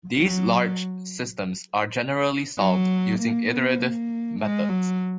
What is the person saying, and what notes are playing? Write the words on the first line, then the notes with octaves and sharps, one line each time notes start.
These large systems are generally solved using iterative methods.
F#3
F#3
A#3
B3
A#3
G#3
F#3